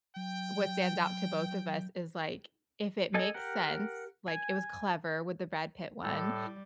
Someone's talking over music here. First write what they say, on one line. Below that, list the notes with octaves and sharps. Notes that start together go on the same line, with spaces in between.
what stands out to both of us is like, if it makes sense, like, it was clever with the Brad Pitt one,
F#3 G5
A4 D#5 G#5 A5
G4 A#4 F#5
G#5
A2 G3 A4